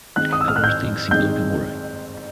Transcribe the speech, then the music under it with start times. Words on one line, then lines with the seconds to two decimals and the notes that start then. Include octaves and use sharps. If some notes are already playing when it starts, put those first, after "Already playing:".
How Are Things in Glocca Morra?
0.16 D#3 G#3 C4 D#4 F#6
0.33 D#6
0.41 E6
0.48 F6
0.56 F#6
0.64 G6
1.11 D#3 G#3 C4 D#4 G6